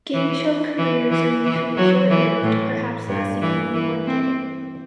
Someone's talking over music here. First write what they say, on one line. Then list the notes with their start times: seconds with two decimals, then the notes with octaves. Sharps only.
Game show careers are usually short-lived, perhaps lasting only one day.
0.13 E3
0.78 E3
1.11 E3
1.44 E3
1.77 F#3
2.10 E3
2.42 A2
3.08 G2
3.42 E3
3.74 E3
4.06 C4